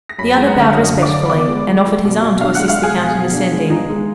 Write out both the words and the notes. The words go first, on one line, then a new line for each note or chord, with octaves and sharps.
The other bowed respectfully, and offered his arm to assist the count in descending.
A#6
F#2 B5 B6
G#3 A#5 A#6
F#5 F#6
D3 F5 F6
F#2 D#5 D#6
D3
D5 D6
D3
B5
B3 D5 D6
G#3
G#3
G#3
B2
B2
D4 F5 F6
G#3 F#5 F#6
F5 F6
G#3
G#4 G#5
B2
B2
D4
G#3
D#4
G#3